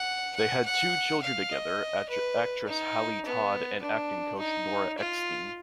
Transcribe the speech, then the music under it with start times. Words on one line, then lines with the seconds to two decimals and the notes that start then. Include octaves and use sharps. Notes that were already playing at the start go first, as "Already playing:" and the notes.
They had two children together, actress Hallie Todd and acting coach Nora Eckstein.
Already playing: F#5
0.36 F#5
0.65 F#5
1.23 F5
1.52 D#5
2.08 B4
2.67 D#4
3.25 B3
3.82 D4
4.39 D#4
4.98 F4